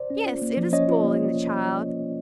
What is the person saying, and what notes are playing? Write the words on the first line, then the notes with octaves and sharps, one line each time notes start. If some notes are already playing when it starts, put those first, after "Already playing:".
'Yes; it is spoiling the child.
Already playing: C5 D5
C#4
F4
A#3
F3
C#4 C#5 D#5
F4
A#3